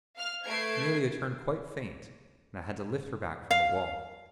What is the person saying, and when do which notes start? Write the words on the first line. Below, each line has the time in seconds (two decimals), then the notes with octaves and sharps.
Amelia turned quite faint, and I had to lift her back from the wall.
0.15 F5 F6
0.45 A3 B4 G#6 C7 D7
3.51 F5